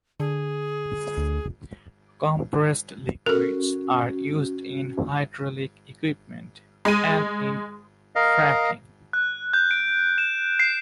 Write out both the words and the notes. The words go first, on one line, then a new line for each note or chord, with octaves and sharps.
Compressed liquids are used in hydraulic equipment and in fracking.
D3 G#4
D2
C#4 F#4 A4 A#4
G#3 D#7
A#4 D#5 F5
F#6
G6
D7
E7
C7